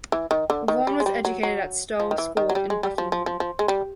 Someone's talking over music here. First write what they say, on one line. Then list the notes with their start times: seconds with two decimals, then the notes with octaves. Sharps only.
Vaughn was educated at Stowe School in Buckingham.
0.12 E3
0.31 D#3
0.50 D3
0.68 D#3
0.87 G3
1.00 G#3
1.06 G3
1.25 F#3
1.43 F#3
2.00 F3
2.11 D#3
2.18 E3
2.37 D#3
2.49 F#3
2.55 G3
2.70 G#3
2.83 G3
2.98 F3
3.12 F3
3.26 F3
3.40 F3
3.59 G#3
3.68 G3